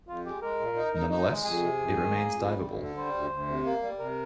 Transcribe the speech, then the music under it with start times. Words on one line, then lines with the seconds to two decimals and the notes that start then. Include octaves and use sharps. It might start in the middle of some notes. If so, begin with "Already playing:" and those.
Nonetheless, it remains diveable.
0.08 F2 F4
0.25 G#3 G4
0.42 G#3 A#4
0.59 A#2
0.76 D#4
0.93 D#4
1.10 D#4
1.27 G#3
1.45 F2 G#4
1.61 C3
1.79 F2
1.95 D#3
2.12 A#3
2.30 F2
2.46 G3
2.63 D2
2.80 D3
2.97 G3 C5
3.14 D2
3.32 D2
3.49 C3
3.65 A#3
3.82 G3
3.99 C3 A#4